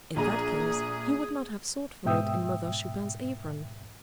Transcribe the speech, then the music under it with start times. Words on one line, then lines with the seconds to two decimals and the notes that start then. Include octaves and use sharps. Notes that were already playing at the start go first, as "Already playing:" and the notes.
In that case, he would not have sought for it in Mother Chupin's apron.
0.16 A#1 G#4 A#5
2.05 G#2 B2 E5 G5 D#6 E6